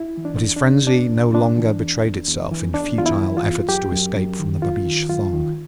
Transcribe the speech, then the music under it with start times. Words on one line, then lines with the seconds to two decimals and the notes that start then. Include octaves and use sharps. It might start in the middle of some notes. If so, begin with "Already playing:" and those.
But his frenzy no longer betrayed itself in futile efforts to escape from the babeesh thong.
Already playing: E4
0.17 E3
0.25 D4
0.41 E2
0.57 D4
0.64 E2
0.87 C3 D4
1.11 E2
1.33 C3 D4
1.57 E3
1.81 E2
2.04 E2
2.27 E2
2.51 E3
2.74 E2 D4
2.98 E2 F4
3.06 E4
3.22 E3
3.37 F4
3.45 E2
3.68 F#2 G4
3.92 F#2
4.16 F#2
4.39 D#3
4.62 F#2 F4
4.85 D#3
5.09 F#2 F4
5.33 D#3